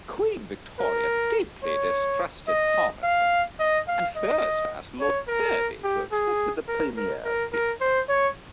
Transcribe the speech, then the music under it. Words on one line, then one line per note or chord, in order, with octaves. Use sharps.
Queen Victoria deeply distrusted Palmerston and first asked Lord Derby to accept the premiership.
A#4
C#5
D#5
F5
D#5
F5
D#5
C#5
A#4
G4
G#4
A#4
A#4
A#4
A#4
C5
C#5